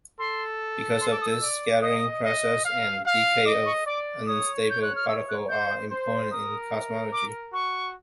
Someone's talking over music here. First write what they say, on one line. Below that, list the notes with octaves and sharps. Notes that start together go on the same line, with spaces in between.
Because of this, scattering processes and decay of unstable particles are important in cosmology.
A4 C6
C6
D6
D#6
E6
D5
D#5 D#6
D#5
F5
F5
D#5 D6
C#6
D5 D6
C#5 D#6
G6
F#6
F6
E6
F#6
C5 G6
C5
A#4 D#6
D6
F#4 C#6